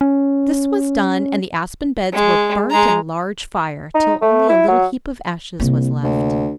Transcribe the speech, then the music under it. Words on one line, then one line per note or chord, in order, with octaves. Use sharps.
This was done and the aspen beds were burnt in a large fire, till only a little heap of ashes was left.
C#4
G#3
G#3 A#5
D#4
A3
E4
F#3
C2 C3 A#3
D2